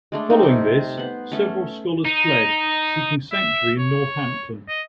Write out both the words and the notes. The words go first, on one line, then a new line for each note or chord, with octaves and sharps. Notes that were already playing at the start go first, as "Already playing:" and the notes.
Following this, several scholars fled seeking sanctuary in Northampton.
G#3 A3 D4
G3 C4 D#4
C3
B3 C5
A3 C#4
D#4
E5
C#5
D#5